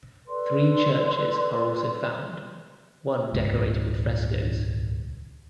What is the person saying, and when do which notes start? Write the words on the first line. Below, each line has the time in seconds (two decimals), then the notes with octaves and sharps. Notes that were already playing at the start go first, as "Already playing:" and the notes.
Three churches are also found, one decorated with frescoes.
0.27 A4 B4 D5 C6
3.33 D#1 C#2 G#2